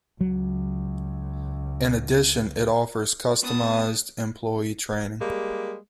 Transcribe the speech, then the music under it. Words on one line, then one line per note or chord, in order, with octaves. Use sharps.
In addition, it offers customized employee training.
C#2 F#3
B3 D#4 B4 A5 D#6
G3 G#3 A#3